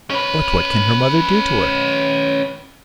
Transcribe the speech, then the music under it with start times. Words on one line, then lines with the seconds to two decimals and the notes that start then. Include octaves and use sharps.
"But what can her mother do to her?"
0.10 C#4 B4